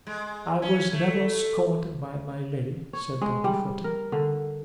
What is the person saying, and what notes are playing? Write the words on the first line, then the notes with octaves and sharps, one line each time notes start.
"I was never scorned by my lady," said Don Quixote.
G#3
C#4
A3
C#5
G#3
G3
A#4
D3